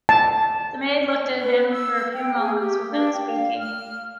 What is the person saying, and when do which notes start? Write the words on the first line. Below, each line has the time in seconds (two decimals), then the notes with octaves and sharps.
The maid looked at him for a few moments without speaking.
0.09 A5
1.40 B4
1.71 E6
2.13 G5
2.36 G#4
2.59 G4
2.92 D4
3.14 G5
3.28 F5
3.58 F6